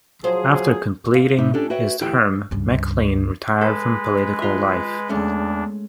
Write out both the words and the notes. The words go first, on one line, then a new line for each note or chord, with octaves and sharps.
After completing his term, McLean retired from political life.
F3 F#3 G#4 C5
F5
A2 D#4 G4 E5
C#4 D4 F4 G4 A4
F#4 B4 C#5 E5 G5
D2 E3 E4 G4 G5
C#2 G2
G#3 A4 B4
F4 E5
E2 G#3 A3 C#4 D4